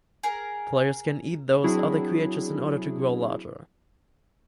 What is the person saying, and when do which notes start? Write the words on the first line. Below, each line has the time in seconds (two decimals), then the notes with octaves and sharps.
Players can eat these other creatures in order to grow larger.
0.23 G#4 A#4
1.64 F#3 C4 D4 E4 F#4 G#4